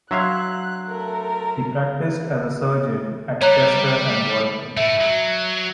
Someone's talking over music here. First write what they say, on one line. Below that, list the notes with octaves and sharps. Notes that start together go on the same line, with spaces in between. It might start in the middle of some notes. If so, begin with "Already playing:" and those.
He practised as a surgeon at Chester and Warrington.
F#3 D4 E5 F5 C6 F#6 G#6
A3 A#4
G3 C#5 A#5 F#6
A3 E4 E5
F#3